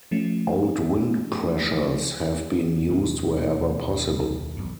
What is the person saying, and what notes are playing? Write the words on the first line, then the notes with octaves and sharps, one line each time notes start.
Old wind pressures have been used wherever possible.
F3 A3 C#4
D#2 B2 F#3 A3
E1 B1 G2